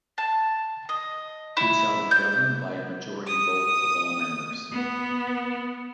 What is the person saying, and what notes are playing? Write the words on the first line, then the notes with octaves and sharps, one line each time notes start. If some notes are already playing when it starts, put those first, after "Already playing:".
It shall be governed by a majority vote of all members.
A5
D#5
E4
G6
D#6
B3